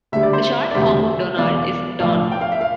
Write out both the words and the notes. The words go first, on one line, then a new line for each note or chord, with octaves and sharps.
A short form of "Donald" is "Don".
D2 D3 G3 E5
D5
C5 E5
D5
E1 D2 C3 G3 C5 E5
E1 E2 B2 D5 F5
B1 A2 F3 D5 F5
G5
F5
E5
F5